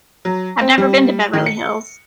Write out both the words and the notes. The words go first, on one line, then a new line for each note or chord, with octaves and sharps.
I've never been to Beverly Hills.
F#3
C4
G3
D#3
C#7